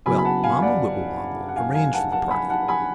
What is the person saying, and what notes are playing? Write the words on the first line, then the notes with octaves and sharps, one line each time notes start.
Well, Mamma Wibblewobble arranged for the party.
F#1 F#2 C#3 F#3 B3 G#5 B5
B5
F#5 A5
F5 G#5
D5 F#5
F#5
F5 G#5
F5 G#5
F#5 A5
F#5 A5
G#5 B5
F#5 A5
G#5 B5